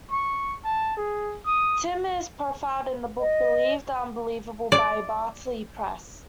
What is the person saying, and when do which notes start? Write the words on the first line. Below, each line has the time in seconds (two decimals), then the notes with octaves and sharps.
Tim is profiled in the book "Believe the Unbelievable" by Bartley Press.
0.11 C#6
0.65 A5
0.97 G#4
1.46 D#6
3.20 D#5
4.72 D5